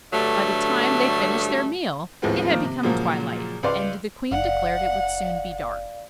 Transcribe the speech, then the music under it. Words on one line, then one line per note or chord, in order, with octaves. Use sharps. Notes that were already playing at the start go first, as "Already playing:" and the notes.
By the time they finished their meal it had become twilight, and the Queen declared it would soon be dark.
G2 D3 F#3 G3 A3
D#2 A2 F3 G#3 B3 C4
D#3 F3 A#3 F4
C3
A#2 C#3 F3 F#3 G#3 A#3
C#2 B4 D5 F5 C6
F#1 D5 F5 F#5